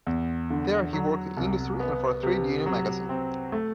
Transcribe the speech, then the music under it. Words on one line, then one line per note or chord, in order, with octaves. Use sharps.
There he worked in industry and for a trade union magazine.
E2
D3
F#3
C2
B3
C3
F#3
C4
A3